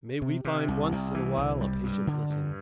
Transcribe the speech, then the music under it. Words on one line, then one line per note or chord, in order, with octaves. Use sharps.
May we find once in a while a patient listener.
C3
C3
C2
C2
E3
C2
G3
G2
D3
G2